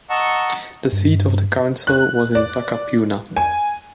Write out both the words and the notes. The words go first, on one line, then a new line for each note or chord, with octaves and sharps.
The seat of the council was in Takapuna.
D#5 F#5 A5 A#5 C#6 E6
G2
F#6
D5
G#5